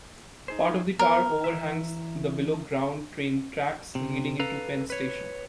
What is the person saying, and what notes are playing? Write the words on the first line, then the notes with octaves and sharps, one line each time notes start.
Part of the tower overhangs the below ground train tracks leading into Penn Station.
D#4 G#4 C5
B3 A#4
E3 E5
C3
A4 B4 F5 A#5
B4 C#5